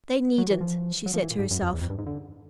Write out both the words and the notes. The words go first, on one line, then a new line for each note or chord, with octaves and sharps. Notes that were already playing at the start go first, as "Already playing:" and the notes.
"They needn't," she said to herself.
F#3
E3
F3
F#3
F3
E3
A#2
G#2
F#2
F2
E2
F2
G2
G#2
D3